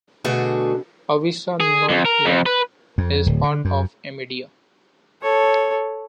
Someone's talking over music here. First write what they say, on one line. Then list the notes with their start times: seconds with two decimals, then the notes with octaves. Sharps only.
"Avisa Nordland" is part of Amedia.
0.24 B2 D3 A3 D4 F#4 G#4
1.60 G#4
1.89 F2
2.05 A#4
2.26 F2
2.46 B4
2.98 F2
3.26 D1
3.44 D3
3.65 F#2
5.22 A4 C#5